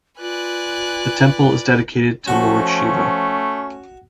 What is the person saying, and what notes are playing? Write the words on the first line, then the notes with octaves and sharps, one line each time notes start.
The temple is dedicated to Lord Shiva.
F4 B4 D5 G#5 F#6
F3 A3 C#4 F#4